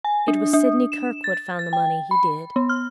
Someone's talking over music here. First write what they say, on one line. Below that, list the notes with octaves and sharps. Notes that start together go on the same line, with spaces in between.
It was Sidney Kirkwood found the money--he did!
G#5
D4
D4
E7
A6
A6
G5
B5
B3
F6